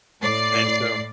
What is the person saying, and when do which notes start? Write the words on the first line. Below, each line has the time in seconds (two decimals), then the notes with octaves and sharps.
and so
0.21 A2 D5 C7